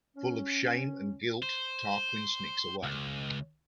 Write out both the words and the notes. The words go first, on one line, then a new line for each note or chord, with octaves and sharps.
Full of shame and guilt, Tarquin sneaks away.
C#4
C5
C#2